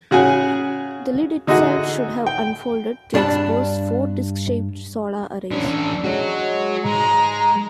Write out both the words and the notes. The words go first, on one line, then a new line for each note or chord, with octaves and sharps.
The lid itself should have unfolded to expose four disk-shaped solar arrays.
C#3 F#4 G#4 G#5
D3 D#4 E4 F#4 G#4
G5
G2 D4 D#4 G4 A5 B5
E3 C#4 D4
G#3 F#4 C#5
G#2 G#3 A#5